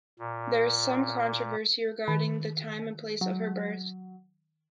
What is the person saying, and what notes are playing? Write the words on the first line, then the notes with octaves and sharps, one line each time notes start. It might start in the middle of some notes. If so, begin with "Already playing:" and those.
There is some controversy regarding the time and place of her birth.
A#2
D#3
F#3